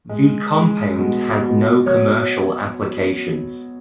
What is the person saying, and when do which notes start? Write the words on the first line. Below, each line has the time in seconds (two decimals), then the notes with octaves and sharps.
The compound has no commercial applications.
0.09 G#3
0.54 G#3
0.98 B2
1.43 B2
1.86 F#3 C#5